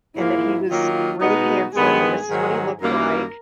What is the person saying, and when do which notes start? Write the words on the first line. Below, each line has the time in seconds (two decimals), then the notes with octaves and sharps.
and that he was really handsome, and this is what he looked like,
0.15 G#2 F3 A#3 E4
0.68 D#3 F#3 A#3 F4
1.21 B2 G#3 B3 D#4 F#4
1.75 G2 D#3 G#3 B3 G#4
2.28 G#2 D#3 F#3
2.81 F#2 D#3 G3 A#3 A#4